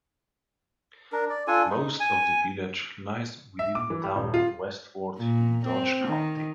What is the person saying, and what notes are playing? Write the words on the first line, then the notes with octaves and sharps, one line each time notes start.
Most of the village lies within the Town of Westford in Dodge County.
D4 A#4
D5
D4 F4 A4 G#5
D#4
G#5
E5
D6
E3
G3
D#1
F4
A#2
C4
D#3